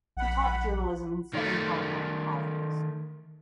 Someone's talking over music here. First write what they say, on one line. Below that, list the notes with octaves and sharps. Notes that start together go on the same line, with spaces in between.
He taught journalism in Southern California colleges.
A#1 F#5 B5
D#3 A3